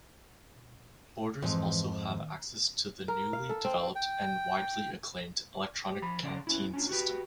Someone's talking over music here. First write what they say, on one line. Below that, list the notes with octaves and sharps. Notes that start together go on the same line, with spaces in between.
Boarders also have access to the newly developed and widely acclaimed electronic canteen system.
F2 G#2 E3
D#3
A#4
F5
A4
C4
G5
G4
F3 B5
C#3 C#4 D5 E5 C6
B3 C#4 E4
C#4 D4 F4
F#4 G4 B4